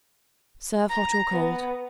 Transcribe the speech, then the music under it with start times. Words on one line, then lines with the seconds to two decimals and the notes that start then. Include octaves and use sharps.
Serve hot or cold.
0.90 A#5
1.32 B3